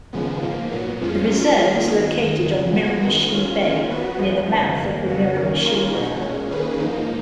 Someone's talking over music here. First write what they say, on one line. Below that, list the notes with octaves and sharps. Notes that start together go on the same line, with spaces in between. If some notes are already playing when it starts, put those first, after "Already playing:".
The reserve is located on Miramichi Bay, near the mouth of the Miramichi River.
D#2 C#3 F3 G#3 B3
G#2 F3 A#3
A#2 F#3 B3
F2 F3 G#3 C#4 F4
F#3 C#4 F4 A#4
D#3 A#3 F4 G#4
D#3 F#3 B3
F#2 D#3 G#3
F2 C#3 G#3
F3 B3 F#4
F#2 D#3 G#3 B3
F#3 C#4 F4
D#3 A#3 C#4 F4
F#3 B3 F#4 B4
F#2 F3 G#3 B3
F#2 C#3 F3 B3 D#4
F2 D#3 A#3
F2 C#3 F#3 B3 F#4
D#3 A#3 C#4
D#3 A#3 C#4 F4 A#4
B2 G#3 D#4 F#4
A#2 G#3 C#4
D#3 A#3 C#4 G#4 B4
G#2 F3 A#3 D#4